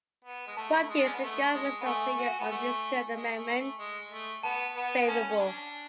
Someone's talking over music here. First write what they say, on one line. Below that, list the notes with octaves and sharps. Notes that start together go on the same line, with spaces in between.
What is the Government's opinion on these two amendments? Favorable.
B3
G#3
A3 A5
A3
G#3
D4
C#4
B3
A3
G#3
B3
A3 G#5
F#4
B3
A3
G#3
A3
A3
G#3
A3
B3 A5
B3
C#4 A5
C#4
D4